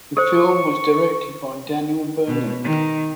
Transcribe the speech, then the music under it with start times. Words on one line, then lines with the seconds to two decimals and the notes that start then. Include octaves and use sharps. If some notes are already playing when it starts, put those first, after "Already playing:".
The film was directed by Daniel Vernon.
0.17 A4 C5 C#6
2.27 B2
2.63 D#3